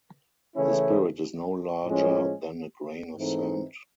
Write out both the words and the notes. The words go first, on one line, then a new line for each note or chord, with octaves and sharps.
The spirit is no larger than a grain of sand.
C#3 E3 A3 C#4 E4
A2 F3 G#3 C#4
G#2 E3 A3 C4 D#4